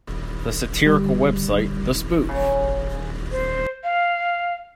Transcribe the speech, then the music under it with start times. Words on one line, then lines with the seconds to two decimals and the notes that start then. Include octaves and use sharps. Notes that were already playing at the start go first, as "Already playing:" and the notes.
The satirical website The Spoof!
0.86 D3 G3
2.29 C#3
3.32 C5
3.84 F5